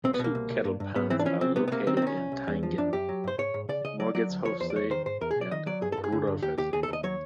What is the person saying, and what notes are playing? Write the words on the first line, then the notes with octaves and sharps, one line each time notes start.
Two kettle ponds are located in Thayngen: Morgetshofsee and Rudolfersee.
B1 C4
B3
B2 A#3
C2
C2
G2
G2
G#2 B3
E3 C4
D4
F3 C#4
C#3 C4
C3 B3
B3
C3 A#3
D#3 C4
C4
D#3 C#4
C2
C2
E2
F3
F#2 D4
F#2 G4
F#3
G2 C5
G#2 C#5
G#2
C#3 D5
C#3 D#5
F#3 D5
F#3 D5
D2
F3 C#5
E2 C5
D5
E2 C#5
D#3 C5
G#2 C5
E2 A#4
G#4
B2
D5
D#3 D#5
F#3 D5
G2 G#4
A4
G2
G#4
D3
G2
D#2 G4
D#2 G4
D#2 G#4
A4
D#2 D#5
F#3 C#5